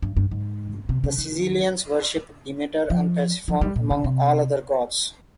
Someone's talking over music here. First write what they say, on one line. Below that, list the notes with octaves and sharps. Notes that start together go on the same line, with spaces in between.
The Sicilians worshiped Demeter and Persephone among all other gods.
G2
G2
G#2
C3
C#3
D#3
F3
F3
G3
A#2
C#3
C3